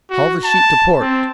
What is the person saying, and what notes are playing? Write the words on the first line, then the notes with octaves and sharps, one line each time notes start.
"Haul the sheet to port!"
F#4
A5
C4